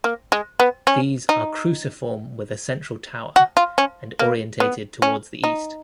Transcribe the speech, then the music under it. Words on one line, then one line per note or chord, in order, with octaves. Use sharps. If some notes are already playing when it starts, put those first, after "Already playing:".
These are cruciform with a central tower, and orientated towards the east.
A#3
G#3
B3
C#4
D#4
F#4
F4
C#4
A#3
B3
C#4
D#4